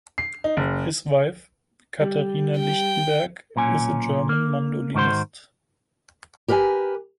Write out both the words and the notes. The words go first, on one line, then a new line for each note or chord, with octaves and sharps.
His wife, Caterina Lichtenberg, is a German mandolinist.
C7
D#4
F#1
G3
G5
B1 A#2 C#4 G#5
A#3
G#2 D#3 F#4 C5 C6
G4 A#4 B4 E5 G#5